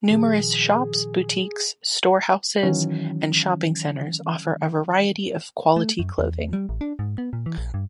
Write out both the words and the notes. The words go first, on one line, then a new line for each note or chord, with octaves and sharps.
Numerous shops, boutiques, store houses and shopping centres offer a variety of quality clothing.
A#2 D#3 F3 G#4
D#3 E3 F#3 C#4
A3
F#2
E2
G3
A1
D4
G#2
B3
A#2
E3
A#1
G2